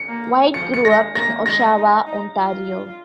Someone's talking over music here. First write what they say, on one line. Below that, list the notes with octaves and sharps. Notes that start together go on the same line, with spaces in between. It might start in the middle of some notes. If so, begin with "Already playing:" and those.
White grew up in Oshawa, Ontario.
Already playing: C#7
A#3
F3 C#7
C#7
G#3 A#6
A#3 A#6
G#3 A#6
D#4
D#4
F4